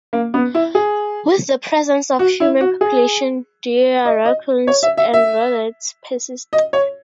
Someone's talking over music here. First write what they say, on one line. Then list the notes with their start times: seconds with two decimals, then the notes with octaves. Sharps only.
With the presence of human population, deer, raccoons and rodents persist.
0.13 A#3
0.34 B3
0.55 E4
0.75 G#4
2.19 F#4
2.40 E4
2.61 F#4
2.81 G#4
4.05 D#5
4.25 D#5
4.67 C#5
4.83 E5
4.97 E5
5.13 E5
6.53 D#5
6.73 C#5